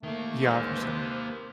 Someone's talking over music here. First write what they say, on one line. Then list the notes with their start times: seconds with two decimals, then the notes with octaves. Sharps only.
Yeah, for certain.
0.03 D#3 A3 A#3
0.44 A1 G#3 C5 F6
0.78 C3 B4